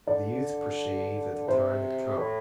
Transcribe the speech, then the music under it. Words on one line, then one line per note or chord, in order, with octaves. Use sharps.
The youth perceived that the time had come.
D3 D5
C3 C5
A2